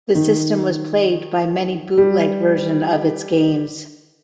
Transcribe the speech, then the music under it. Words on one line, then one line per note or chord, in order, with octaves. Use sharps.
The system was plagued by many bootleg versions of its games.
D#3
G3